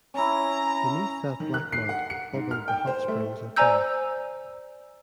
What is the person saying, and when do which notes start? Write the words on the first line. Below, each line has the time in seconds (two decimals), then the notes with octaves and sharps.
Beneath that black mud, bubbled the hot springs of Bath.
0.14 C#4 E4 A#5
1.40 D#3
1.54 F#6
1.72 C7
1.89 F#5
2.10 C#7
2.34 G#2
2.51 F6
2.68 G5
2.87 C5
3.08 A3
3.56 C5 D5 G#5 A#5 E6 G6